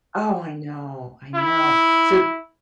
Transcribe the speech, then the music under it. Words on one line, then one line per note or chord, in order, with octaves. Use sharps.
Oh, I know, I know, so
E4